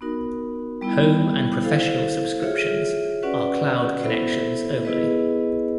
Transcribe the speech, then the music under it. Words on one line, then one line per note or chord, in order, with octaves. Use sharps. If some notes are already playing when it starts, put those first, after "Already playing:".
Home and Professional subscriptions are cloud connections only.
B3 D#4 F#4 A#4
G3 B3 E4
E4 A4 C5 F5
F4 G#4 C#5 E5
C#4 F#4 B4 D5 F#5
B3 E4 A4 C5 E5
B3 E4 G#4 B4 D#5